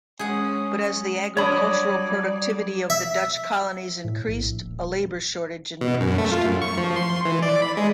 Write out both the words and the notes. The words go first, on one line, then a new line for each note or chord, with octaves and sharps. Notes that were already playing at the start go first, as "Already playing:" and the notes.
But as the agricultural productivity of the Dutch colonies increased, a labor shortage emerged.
G#3 C#4 G#4 F#5
F#3 G3 D4 F#4 C#5 D5 B5 D#6
E5
A2
A#1
D#1
B2
F#2
A3
F4
F#2
C#6
F3
C6
E3
D5
B5
G#3